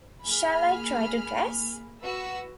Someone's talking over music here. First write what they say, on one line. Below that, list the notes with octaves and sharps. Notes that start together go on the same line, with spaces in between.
Shall I try to guess?
A#3 G#4 B5 F6
F#4 B4 E6